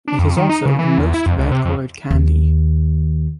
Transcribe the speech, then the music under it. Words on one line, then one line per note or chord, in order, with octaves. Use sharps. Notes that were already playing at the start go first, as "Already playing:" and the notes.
It is also in most red-coloured candy.
D4
F2
D#3
D#4
C#3
E3
E2
E4
F2
C#2
C3
F2
D#2